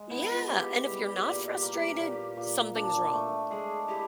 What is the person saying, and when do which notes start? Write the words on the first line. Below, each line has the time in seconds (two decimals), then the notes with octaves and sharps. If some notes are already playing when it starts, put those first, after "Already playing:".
Yeah! And if you're not frustrated, something's wrong.
Already playing: G#3
0.10 B3 E4
0.30 F4
0.48 E4 G4
0.86 G3
1.23 A#2
1.62 A#3
2.00 A#2
2.37 A#2
2.75 D4
3.13 A3
3.51 G#3 G#4
3.88 E4 G4